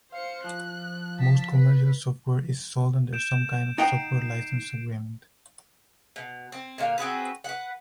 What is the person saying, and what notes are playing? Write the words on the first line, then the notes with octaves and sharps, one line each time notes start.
Most commercial software is sold under some kind of software license agreement.
C5 F5 C#7
F3 F#6
A5 B6
B4
G6 D7 E7
D#4 F#5 G5 C7 D7
B2
C4
A#2 D3 F5
C4 F#4 G#4 B4
B4 F#5